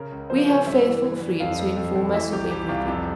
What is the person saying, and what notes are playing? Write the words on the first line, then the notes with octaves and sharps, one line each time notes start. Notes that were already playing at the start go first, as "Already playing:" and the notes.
"We have faithful friends, who inform us of everything."
Already playing: C#3 A#4
C#2
F3 C5
C#3 C#5
G2 E5
E3
E3
G2
F2 F5
F2
F2
F2
E3 E5
C2 G4
E3 G4
C2 F4
F2 G4